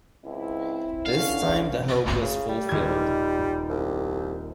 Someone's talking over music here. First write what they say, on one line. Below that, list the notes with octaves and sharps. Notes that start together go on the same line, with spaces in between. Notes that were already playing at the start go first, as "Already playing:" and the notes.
This time the hope was fulfilled.
C#2 C4 E4
D3 C#4 F5
C#3
G3
D#1 G#6
C2